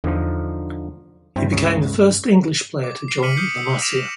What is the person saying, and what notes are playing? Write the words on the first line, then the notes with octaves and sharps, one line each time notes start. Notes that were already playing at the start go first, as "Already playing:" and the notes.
He became the first English player to join La Masia.
E2 D3 F3 D#4
G2 C4 E4
C#2 C#3 C#5
D6
C7
D6 F6 B6 C#7 D#7 F#7
D#6 F6 G6 C7 C#7
E6
A#6 D7 E7 F7